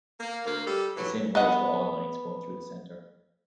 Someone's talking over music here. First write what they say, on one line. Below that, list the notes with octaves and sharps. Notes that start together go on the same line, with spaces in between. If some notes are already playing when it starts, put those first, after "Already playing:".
The same holds for all lines going through the center.
A#3
D2 A#3
G3 G4 A4
A2 E3 F#3
B3 D#5 F#5